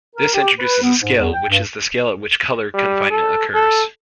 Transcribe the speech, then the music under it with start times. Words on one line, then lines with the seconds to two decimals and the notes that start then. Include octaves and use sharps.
This introduces a scale, which is the scale at which colour confinement occurs.
0.16 A#4
0.34 G4
0.59 B4
0.82 B3
1.01 G#2
1.17 E2
1.33 G5
1.50 G2
2.74 G3
3.11 A4
3.54 A4